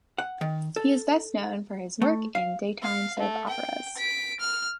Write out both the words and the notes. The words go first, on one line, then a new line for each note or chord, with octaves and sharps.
He is best known for his work in daytime soap operas.
F#5
D#3
A4
A3
F5
F5
A3
G5
B6 D7
F6